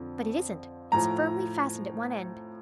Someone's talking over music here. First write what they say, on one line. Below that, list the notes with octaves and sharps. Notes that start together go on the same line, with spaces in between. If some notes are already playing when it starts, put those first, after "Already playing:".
But it isn't--it's firmly fastened at one end.
Already playing: F2 D3 F3
A2 F3 A#5